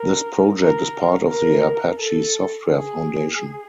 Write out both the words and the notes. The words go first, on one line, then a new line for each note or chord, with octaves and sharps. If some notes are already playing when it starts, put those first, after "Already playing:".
This project is part of the Apache Software Foundation.
Already playing: A#4
A#4
A#4
A4
G#4